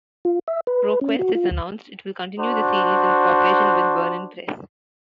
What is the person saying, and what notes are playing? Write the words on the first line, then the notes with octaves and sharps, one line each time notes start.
ProQuest has announced it will continue the series, in co-operation with Bernan Press.
F4
E5
B4
C#4
F#4
F4
D2
D4 F#4 C5